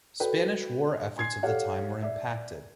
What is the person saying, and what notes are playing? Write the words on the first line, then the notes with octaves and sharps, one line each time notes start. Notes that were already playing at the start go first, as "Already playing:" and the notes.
Spanish war efforts of the time were impacted.
F#4 A4 B4 G5
G#5 C6 G#6 C7
G4 A4 C#5 F5 F#5
D5 E5